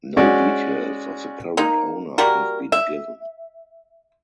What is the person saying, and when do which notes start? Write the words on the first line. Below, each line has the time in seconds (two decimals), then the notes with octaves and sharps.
No details of the current owner have been given.
0.17 G#3 C#4 F#4 D5
1.57 A#3 D#4
2.18 G3 A#3 F#4 A#4
2.72 E5